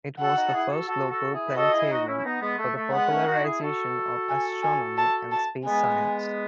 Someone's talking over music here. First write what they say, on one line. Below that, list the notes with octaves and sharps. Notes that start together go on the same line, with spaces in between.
It was the first local planetarium for the popularisation of astronomy and space science.
F#4 A4 F#5
D#4 F#4
A4
E4 G#4
F#4 A4
F#4 A4
F#4 A4
E4 G#4
B4
F#4 A4 D#5
E4 G#4
D#4 F#4
C#4 E4
E4
B3 D#4
G#3 B3
A3
A3
G#3 B3 F#5
A3 C#4
D#4 F#4
E4 G#4
F#4 A4
G#5
G#5
A5
A5
G#3 B3 G#5